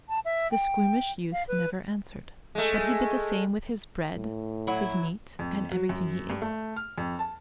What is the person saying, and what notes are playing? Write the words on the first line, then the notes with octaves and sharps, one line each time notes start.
The squeamish youth never answered, but he did the same with his bread, his meat, and everything he ate.
A5
E5
G5
F5
B4
G#3 A3
A2
F#3 E4
F2
F#3
F#2
G2
A3
F6
F2
A5